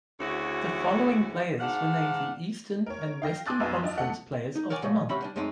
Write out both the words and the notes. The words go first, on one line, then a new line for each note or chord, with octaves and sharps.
The following players were named the Eastern and Western Conference Players of the Month.
D2 C#3 C#4 E4 F#4
G#2 D4 F5 F#5
A#4 C#5
F5 G5 A#6
G#5 C6 D6 E6 F#6 A6
B1 F#2 B3 F5 G#5 D6
D4 F4 D#5
A3 A4 D#5 F#5
D#4
A#4 C#5 D5 F#5 G#5
A#2 C#3 F3 F#3
C#2 C3 C#4 F#4 E5 B5
G3 D4
F#2 G#3 A3 C4 D#4